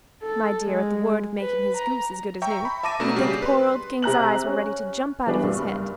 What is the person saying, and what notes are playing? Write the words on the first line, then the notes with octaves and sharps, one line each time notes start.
My dear, at the word of making his goose as good as new, you'd think the poor old king's eyes were ready to jump out of his head.
A4
G#3
B4
A#5
E5 G5 A#5 C#6
B5
E5 A5 D6 A#6 D#7
B2 A3 D4 A#5 E7
C#3 G3 G4
B4 C6
C3 A#5 F#6 F#7
C#4
E3 G3 B3 D4 F#4
F#1 G2